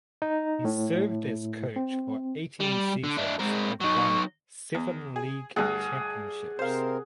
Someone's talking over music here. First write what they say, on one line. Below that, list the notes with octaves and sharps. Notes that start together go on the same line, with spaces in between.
He served as coach for eighteen seasons and won seven league championships.
D#4
A2
C4
G3
D3
D4 E4
G#3 C4 A#4
F#3 D#4 C#6
E2
G#4
D2 G2 G#4 F#5
C3 C4 A#4 C5 F5